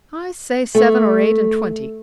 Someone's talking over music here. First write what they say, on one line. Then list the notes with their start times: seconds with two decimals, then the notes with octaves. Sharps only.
I say, seven or eight and twenty.
0.75 A3